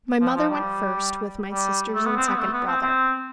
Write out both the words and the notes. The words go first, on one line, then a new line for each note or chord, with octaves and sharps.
My mother went first, with my sisters and second brother.
F3
F3
G3
G3
A3
B3
C4
B3
A3
B3
C4
C4